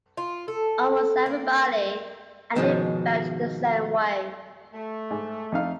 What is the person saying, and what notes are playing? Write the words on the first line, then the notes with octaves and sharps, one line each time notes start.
Almost everybody I knew felt the same way.
F4
A4
A#3
G#2 B2 D#3 F3 G3 G#3
A3
G#2
F2 D#4 F5